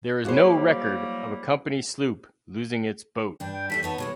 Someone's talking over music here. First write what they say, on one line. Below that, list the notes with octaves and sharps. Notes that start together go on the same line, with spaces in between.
There is no record of a Company sloop losing its boat.
F#3 G3 A#3 E4 F#4 G#4 C5 C#5
G2 D4 G5
G5
G3 A3 A4 B6
B3 D#4 C#5 A5
B2 G#3 E4 C#5